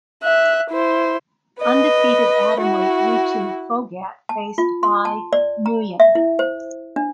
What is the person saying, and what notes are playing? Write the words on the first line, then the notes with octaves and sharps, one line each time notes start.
Undefeated atomweight Ritu Phogat faced Bi Nguyen.
E5 F#6
E4 C5
B4 D#5
E4 F#4
A5
F4
C6
A5
D5
A#5
E5
E4
C5
D4